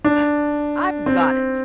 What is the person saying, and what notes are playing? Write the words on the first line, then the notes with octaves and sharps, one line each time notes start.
I've got it.
D4
C4